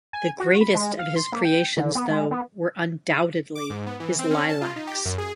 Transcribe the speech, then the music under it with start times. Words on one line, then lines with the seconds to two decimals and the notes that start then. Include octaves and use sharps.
The greatest of his creations, though, were undoubtedly his lilacs.
0.13 G#5
0.40 F#4
0.61 B5
0.74 G#3
0.99 F5
1.16 C6
1.32 A#3
1.45 G5
1.77 D3
1.95 B3
2.10 G#3
2.31 B3
3.55 D6
3.70 G#2
3.87 B3
4.00 E3
4.19 C4
4.31 C#4
4.49 A5
4.61 F4
4.76 D#4
4.87 G4
5.05 F#2
5.18 G#4